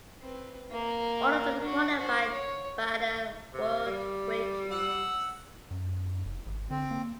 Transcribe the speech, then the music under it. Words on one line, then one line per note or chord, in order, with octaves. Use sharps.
All of them qualified by the world rankings.
C4 B4
A#3
D4 F#4
F#4 C5
C#5
C3
G3
F#5 E6
F#2
F1
G#1
D3 C4
A#3